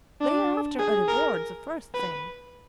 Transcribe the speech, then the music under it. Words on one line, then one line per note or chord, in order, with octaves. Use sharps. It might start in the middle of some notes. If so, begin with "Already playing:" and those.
"They are after a reward the first thing."
D4
G#4
A#4
B4